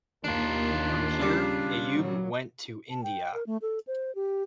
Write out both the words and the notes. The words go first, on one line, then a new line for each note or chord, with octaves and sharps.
From here, Ayoub went to India.
D#2 D4 F4
C#3 G3 D6
A#2 F#3
A5
G5
A#4
A3
A4
C5
G4